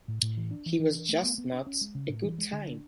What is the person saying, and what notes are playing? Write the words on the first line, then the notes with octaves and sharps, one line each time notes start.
He was just not a good time.
A2
A2
E3
D4
E3
E3
D4
A3
B3
B3
D4
C#4
G#3
C#3
A2
E3
G#3
D3
D4